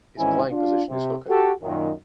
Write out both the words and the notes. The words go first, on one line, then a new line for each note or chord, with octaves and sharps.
His playing position is hooker.
G#1 G#2 E3 C#4 E4 G#5
D4 F4
C3
F#4 G4 A4
F#2 A#2 D#3